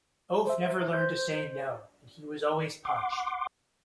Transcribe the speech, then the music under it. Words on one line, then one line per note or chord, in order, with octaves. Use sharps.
Oaf never learned to say "No" and he was always punched.
C5 E5
C5 G6
F#5 C6 D6